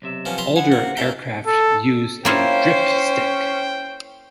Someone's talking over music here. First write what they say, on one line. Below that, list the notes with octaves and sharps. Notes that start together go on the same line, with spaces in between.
Older aircraft use a dripstick.
B1 C3 E5
F3 B3 C#4
B4 A#5 C6
E3 F3 F#5 G#5
C3 A#3 C4
C#2 C3 E4 A#4 G5
A4
A#3 C#4 E4 F4 C5 G5